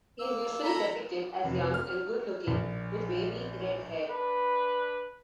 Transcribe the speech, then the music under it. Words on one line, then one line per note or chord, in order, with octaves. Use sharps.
He is usually depicted as young and good-looking, with wavy red hair.
A#3 E6
A4 A#5 B5
F1
F6
A#1
D4 B4